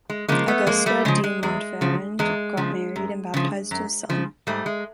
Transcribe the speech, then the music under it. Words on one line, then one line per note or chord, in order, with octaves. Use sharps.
Auguste de Montferrand got married and baptized his son.
G#3
C#3 F3 G#3 A#3
A3 B3
F2 G#3 A#3
G3 A3
C#3 F3 G#3
G#3
E2 G#3
C#3 F3
E2 G#3
C#3 F3
F#2
C#3 F3
F#2
C#3 F3
G#2 G3 A3
G#3